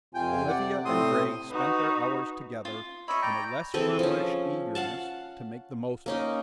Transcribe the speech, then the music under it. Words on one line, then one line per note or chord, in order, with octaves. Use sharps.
Olivia and Grey spent their hours together in a less feverish eagerness to make the most of them.
F2 C3 F4 G5 G#5
D5 F#5
A2 C3 C4 C6 D#6
D#4 F#4 B4
F4
C#5 D#5 E5 B5 C#6
D5 G5 A#5
E3 C4 G#4 A4
F3 C#4
F5 F#5 A5
A#3 C#4 D#4